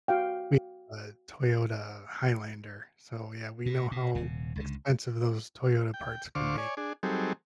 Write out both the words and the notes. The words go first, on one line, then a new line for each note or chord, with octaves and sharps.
we, uh Toyota Highlander, so, yeah, we know how expensive those Toyota parts can be.
F#4 F5 G5
A#2
A#2
D#1 C3
C#2 D3
G5
D2 D3 C5 F5 C#6 D6
C#5 D5 G#5
D4 G#4
F#3 G3 C4 D#4 G#4 A4